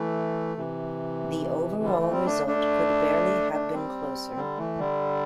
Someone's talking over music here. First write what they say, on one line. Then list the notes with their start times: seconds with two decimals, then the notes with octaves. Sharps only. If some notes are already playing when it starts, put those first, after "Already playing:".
The overall result could barely have been closer.
Already playing: E3 A3
0.57 C3 E3
1.83 D3 G3
1.97 E3 A3
2.11 G3 C4
2.25 A3 D4
2.46 A3 D4
3.53 A3 D4
3.73 G3 C4
4.36 D3 G3
4.57 E3 A3
4.78 D3 G3